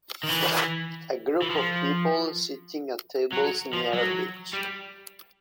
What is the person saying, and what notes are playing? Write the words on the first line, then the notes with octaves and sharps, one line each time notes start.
A group of people sitting at tables near a beach.
D#3
E3
E3
F3
F#3
F3
F#3
G3